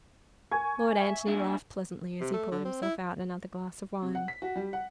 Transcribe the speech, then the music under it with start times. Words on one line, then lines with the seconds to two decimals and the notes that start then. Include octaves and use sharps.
Lord Antony laughed pleasantly as he poured himself out another glass of wine.
0.52 G#5 C#6 G#6
0.97 E5 G5
1.27 A#2 D4 E5
2.21 C3
2.33 A3
2.52 D3
2.65 C4
2.82 E4
4.02 C3
4.15 F#5
4.28 B6
4.42 F#4
4.56 G3
4.73 F#5